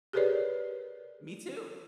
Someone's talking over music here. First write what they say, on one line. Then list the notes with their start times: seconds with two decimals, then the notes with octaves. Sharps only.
Me too.
0.13 G4 G#4 A#4 B4 C#5 D5